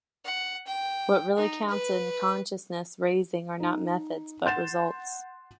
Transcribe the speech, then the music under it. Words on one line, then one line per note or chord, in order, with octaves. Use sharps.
What really counts in consciousness-raising are not methods, but results.
F#5
G5
D#4
B4
D#4
F#5 C6 G6 A6 E7